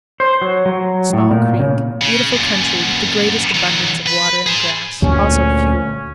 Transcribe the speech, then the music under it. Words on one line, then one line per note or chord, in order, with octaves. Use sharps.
Small Creek.--Beautiful country, with the greatest abundance of water and grass; also fuel.
C5
F#3
F#3
A2
A#2
C#3
C#3
F#2 A#2
D#3 F#3
B4
G#4 C5
D2 A#2 C#4